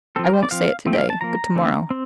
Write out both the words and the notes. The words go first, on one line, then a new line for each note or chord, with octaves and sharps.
I won't say it to-day, but to-morrow.
F3 C4 A4
A#4
C5
D5
F3 C4 F5
F3 A3 C4
G5
F5
A5
F3 A#3 A#5
D3 A3 C4
C4